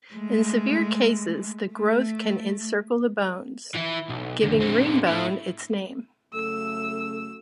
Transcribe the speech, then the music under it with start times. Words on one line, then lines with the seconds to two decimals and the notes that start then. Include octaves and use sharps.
In severe cases, the growth can encircle the bones, giving ringbone its name.
0.14 G#3 A3
1.74 A3
3.75 E3 E4
4.09 B1
4.44 E2 D3
4.61 D3 C4
5.09 A3 E4
6.33 C#3 F#3 A3 A4 E6